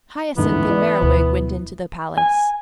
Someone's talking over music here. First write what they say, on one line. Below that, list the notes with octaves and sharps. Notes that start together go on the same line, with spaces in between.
Hyacinth and Merriwig went into the Palace.
F#1 D2 G#2 E3 B3
E4 D5
D2 B2 E4 B4
G#5